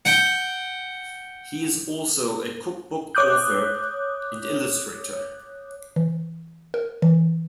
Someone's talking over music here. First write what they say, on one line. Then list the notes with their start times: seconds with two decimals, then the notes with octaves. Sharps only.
He is also a cook book author and illustrator.
0.05 F#5 G5
3.15 C#5 D6 D#6 F#6 G6
5.96 E3
6.74 A#4
7.02 E3